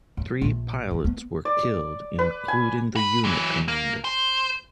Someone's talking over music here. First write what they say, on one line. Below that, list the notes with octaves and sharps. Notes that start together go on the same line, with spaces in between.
Three pilots were killed, including the unit commander.
F#2
A#1
G2
B3
D5
B4
G#5
B4
E3 F#3
A#3
C5